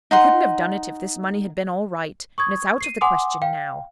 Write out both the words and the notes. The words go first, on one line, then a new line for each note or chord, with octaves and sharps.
You couldn't have done it if this money had been all right, and it's out of the question now.
D#4 F#5 C6
C#6 D#6 G#6
C7 D#7
F#5 G#5 C6 D6 D#6
F5 G5